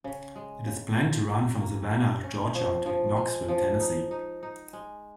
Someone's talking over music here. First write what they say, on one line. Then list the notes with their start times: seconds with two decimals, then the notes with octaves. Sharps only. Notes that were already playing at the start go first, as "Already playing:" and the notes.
It is planned to run from Savannah, Georgia, to Knoxville, Tennessee.
0.04 C#3
0.36 G#3
0.66 C#3
0.98 F4
1.29 A#3
1.60 A#3
1.91 A#3
2.24 C#4
2.54 F3
2.86 F3
3.16 G#3
3.48 F3
3.80 D#4
4.11 D#4
4.43 D#4
4.73 G#3